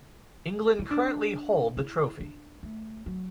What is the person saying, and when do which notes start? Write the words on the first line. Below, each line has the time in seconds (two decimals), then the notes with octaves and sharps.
England currently hold the trophy.
0.79 E4
0.91 D4
1.77 E4
2.20 D4
2.63 A3
3.06 F#3